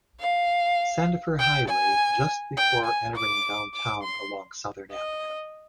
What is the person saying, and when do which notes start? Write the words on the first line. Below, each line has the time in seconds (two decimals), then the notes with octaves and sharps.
Sandifer Highway just before entering downtown along Southern Avenue.
0.20 F5
1.39 G5
1.68 G#5
2.57 G5
2.86 G#5
3.16 D6
3.74 D6
4.03 C6
4.92 D#5